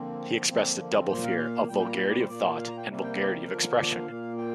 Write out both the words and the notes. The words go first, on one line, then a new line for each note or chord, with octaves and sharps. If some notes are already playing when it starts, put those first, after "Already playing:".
He expressed a double fear, of vulgarity of thought, and vulgarity of expression.
Already playing: D3 F3 A#3 C4
D3 F3 A#3 C4
A#3
C4
A#2 A#3 C5
F5
F5
A#2 G3 A#3 G5
G5
A#5
G5
D5
C5
A#2 A#3 D5
F5
A#5
G5
C3 G3 A#3
G5
D5
D3 F3 A#3 A#4
D5
F5
A#2 A#3
G5